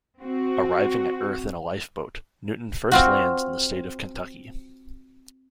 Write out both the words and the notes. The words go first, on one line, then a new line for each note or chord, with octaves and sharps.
Arriving at Earth in a lifeboat, Newton first lands in the state of Kentucky.
C4 F#4
C4 F4 F#4